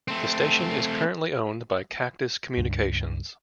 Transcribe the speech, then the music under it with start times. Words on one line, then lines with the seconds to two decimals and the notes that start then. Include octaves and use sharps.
The station is currently owned by Cactus Communications.
0.08 A3 C4
2.57 C#2 G2